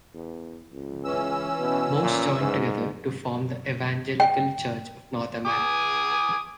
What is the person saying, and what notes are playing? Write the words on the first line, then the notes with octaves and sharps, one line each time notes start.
Most joined together to form the Evangelical Church of North America.
E2
C#2
E3 C#4 E6
B2
A#2
G#2
G5
G#5 D6 D#6